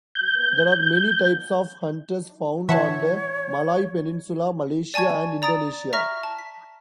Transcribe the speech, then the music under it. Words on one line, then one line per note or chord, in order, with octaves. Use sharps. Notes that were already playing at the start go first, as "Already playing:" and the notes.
There are many types of hantus found on the Malay peninsula, Malaysia, and Indonesia.
G6
E3 C#5 E5 F#5 A5
D5 G#5 A5 C#6 G#6
D5 A#5 D#6 A6 D7
E5 A#5 C#6 F6 A#6
A5
B6